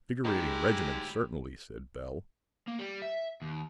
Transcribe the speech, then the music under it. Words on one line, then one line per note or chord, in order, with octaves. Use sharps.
"Invigorating regimen, certainly!" said Bell.
D2 G#3 D#4 E4 G4
A#3
G3
E5
D#2